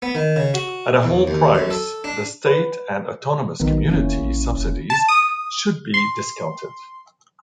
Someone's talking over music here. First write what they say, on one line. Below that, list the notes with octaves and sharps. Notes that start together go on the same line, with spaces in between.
At a whole price, the State and Autonomous Community subsidies should be discounted.
B3
D#3
C#3
F#4
E2
D#2
F#2
A4
D4
B4
A#1 D#3 B3
F1 A#3 C#4 E4
A1
F1
A5
D#6
C6